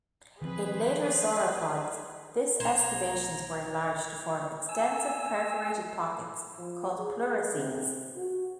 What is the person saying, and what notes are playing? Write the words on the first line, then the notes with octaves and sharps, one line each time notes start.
In later sauropods, this excavations were enlarged to form extensive perforated pockets called pleurocoels.
D#3 F3 C4 G#4 B4 C5
B1 C5 A#5 G#6 F7
G#5 E6
F3
G#4
C3
F#4